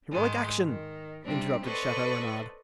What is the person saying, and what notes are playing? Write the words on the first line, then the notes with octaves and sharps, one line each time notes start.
"Heroic action," interrupted Chateau-Renaud.
G#2 D#3 G#3
D#3
C3 G3 C4 D4
A4 B4 C5 D5 D#5 C#6